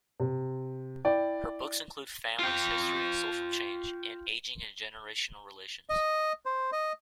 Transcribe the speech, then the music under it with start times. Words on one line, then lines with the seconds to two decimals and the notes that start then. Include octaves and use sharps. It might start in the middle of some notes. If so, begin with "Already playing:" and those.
Her books include "Families, History and Social Change" and "Aging and Generational Relations".
0.20 C3
1.05 E4 D5 G5
2.39 F4 G5
5.90 D#5
6.46 C5
6.72 D#5